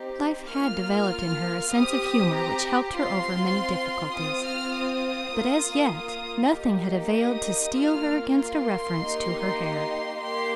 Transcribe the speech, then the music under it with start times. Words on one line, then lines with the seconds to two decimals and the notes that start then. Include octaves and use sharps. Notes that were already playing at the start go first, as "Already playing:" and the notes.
Life had developed in her a sense of humor which helped her over many difficulties; but as yet nothing had availed to steel her against a reference to her hair.
Already playing: C4 D#4 G4
0.53 A#3 F4 F6
1.74 C4 G4 D#6
2.34 A#5
2.95 C4 F4 C6
4.15 C4 F4 D#6
4.46 F6
4.77 D#6
5.37 A#3 F4
5.98 D#6
6.58 A#3 D#4 G4
7.19 D#6
7.78 A#3 F4 F6
8.39 C6
9.00 A#3 D#4 G4
10.21 A#3 G4 C6